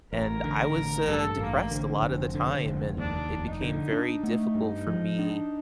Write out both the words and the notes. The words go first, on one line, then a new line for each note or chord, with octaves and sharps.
and I was, uh, depressed a lotta the time and it became very difficult for me
A1 A#4
D3
A1
G2 A4
A1 A#3
D3 C4
F1
D3
F1
D#2 D4
F1
D#4
D3
D4
A3
G2
F3
D4